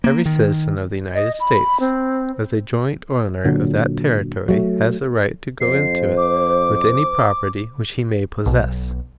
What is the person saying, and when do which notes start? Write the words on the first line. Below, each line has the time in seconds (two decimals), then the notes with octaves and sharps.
Every citizen of the United States, as a joint owner of that Territory, has a right to go into it with any property which he may possess.
0.04 A#3
0.26 D#3
1.15 D#5
1.40 B5
1.80 C4
3.44 A#2 D3 F#3
4.49 F#3 G#3 A3
5.61 F2 C5 C7
6.17 D6
8.46 B1